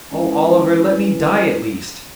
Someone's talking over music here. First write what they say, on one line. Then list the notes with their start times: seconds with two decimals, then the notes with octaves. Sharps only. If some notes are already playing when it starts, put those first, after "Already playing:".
Oh, Oliver, let me die at least!
0.10 G#3 C#4 D4 E4 B4